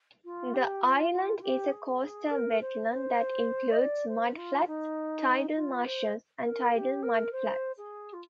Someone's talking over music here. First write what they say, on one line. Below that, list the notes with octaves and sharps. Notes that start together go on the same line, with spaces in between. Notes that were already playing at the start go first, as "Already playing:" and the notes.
The island is a coastal wetland that includes mudflats, tidal marshes, and tidal mudflats.
F4
G4
F4
F4
F4
G4
G#4
G#4
A#4
C5
C5
D#5
D5
C5
D#4
F4
D#4
F4
C5
A#4
G4
A#4
C5
G#4
F4